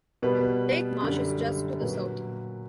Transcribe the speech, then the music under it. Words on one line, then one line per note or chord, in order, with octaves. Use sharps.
Dyke Marsh is just to the south.
B2 G3 B4
F#2 D3 G3
A#2 F#3 B4